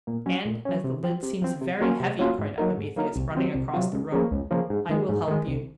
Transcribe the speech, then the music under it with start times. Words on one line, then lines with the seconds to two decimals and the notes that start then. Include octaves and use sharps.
"And, as the lid seems very heavy," cried Epimetheus, running across the room, "I will help you!"
0.07 A#2
0.26 F#3 C#4
0.45 A#2
0.65 F#3 C#4
0.84 C3
1.03 F3 C4
1.23 C3
1.42 F3 C4
1.61 C3
1.81 F#3 A#3 C#4 F4
2.00 C3
2.19 F#3 A#3 C#4 F4
2.39 G#2
2.58 F#3 A#3 D#4 A#4
2.77 G#2
2.96 F#3 A#3 D#4 A#4
3.16 C2
3.35 C3 F#3 C4 F4
3.54 C2
3.74 C3 F#3 C4 F4
3.93 C#2
4.12 C#3 F3 A#3
4.31 C#2
4.51 C#3 F3 A#3
4.70 G#2
4.89 D#3 G#3
5.09 G#2
5.28 D#3 G#3
5.47 C2